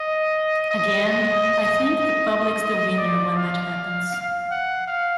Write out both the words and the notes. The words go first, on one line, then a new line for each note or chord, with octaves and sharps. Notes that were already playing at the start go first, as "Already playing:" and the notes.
Again, I think the public is the winner when that happens.
Already playing: D#5
D#5
D#5
D5
F5
F5
F#5
F5